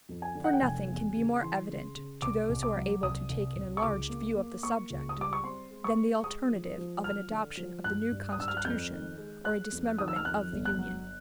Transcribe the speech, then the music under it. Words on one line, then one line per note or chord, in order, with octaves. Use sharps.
For nothing can be more evident, to those who are able to take an enlarged view of the subject, than the alternative of an adoption of the new Constitution or a dismemberment of the Union.
F2
G#5
D3
F#5
G5
F1 G#5
E2
C#3
E3 C6
C#3
C#3
C2 D6
C2
D6
F#3
C2 D#6
C2
C2
C#6
C#2 D6
A#3
A#3
A#3 C#6
C#2
D#6
G3 D6
C#6
C4 C6
G#3
C#6
G#3
G#3 D#6
F3
F3
F3 F6
D3
F3
G2 F#6
G2
D#6
G2 E6
F6
F#6
F2 G6
D#3
G#3
G#3 F#6
F2
D#3 D#6
E6
F6
F2 F#6
G1
F#6
F#3